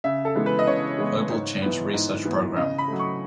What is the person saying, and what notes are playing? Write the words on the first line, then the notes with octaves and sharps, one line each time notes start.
Global Change Research Program.
C#3 E5
A4
E3 G#3 B3
B4
D#5
C#3 C#5
E3 G#3 B3
G#2
E3 B3
G#2
E3 B3
C#3 D#5
B5
F#3 A3
C#6